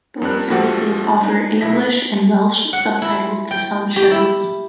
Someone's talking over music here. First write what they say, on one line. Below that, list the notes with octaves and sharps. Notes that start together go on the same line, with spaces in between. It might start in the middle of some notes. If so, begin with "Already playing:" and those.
Both services offer English and Welsh subtitles to some shows.
F2 G3 D4 A#4 F#6
A#1 F3 F#4 G4 A4 F#5
D4 D#4
B1 E4 A#6 B6
F#5
E4
G5
G4
E4